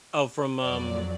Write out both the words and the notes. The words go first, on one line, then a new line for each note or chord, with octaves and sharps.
Oh, from, um
F2 F#3 D5